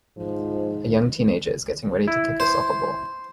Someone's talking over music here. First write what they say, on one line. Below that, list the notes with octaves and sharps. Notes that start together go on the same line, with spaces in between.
A young teenager is getting ready to kick a soccer ball.
G#2 F3
E4
C5